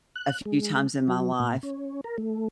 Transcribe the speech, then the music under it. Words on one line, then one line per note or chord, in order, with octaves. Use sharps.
a few times in my life
F#6
G#3
F#3
A#2
C#4
A#4
A3